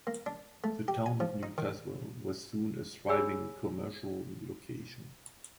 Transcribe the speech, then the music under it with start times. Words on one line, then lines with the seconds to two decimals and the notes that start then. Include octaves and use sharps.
The town of New Tazewell was soon a thriving commercial location.
0.07 A#3
0.26 D4
0.64 A3
0.88 G4
1.06 G#5
1.20 F3
1.43 D#4
1.58 D#3
3.08 G#4 C#5 G#5 B5 E6